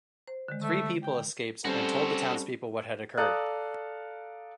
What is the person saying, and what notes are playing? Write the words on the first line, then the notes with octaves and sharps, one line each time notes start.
Three people escaped and told the townspeople what had occurred.
C5
D3 D#3 G#3
A3
G5
G3 C4 C#4 F#4 A4 C5
A4 D5 F5 A#5 D#6 F#6